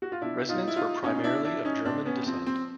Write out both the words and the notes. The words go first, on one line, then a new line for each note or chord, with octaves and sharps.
Residents were primarily of German descent.
F#4
F4
B2 D4 E4
D#4 F4
E4
D#4 F4
B2 C#4 D#4
D#4
D4 E4
D4 E4
C#4 D#4
A2 C4 D4
B3 C#4
F3 C4
C4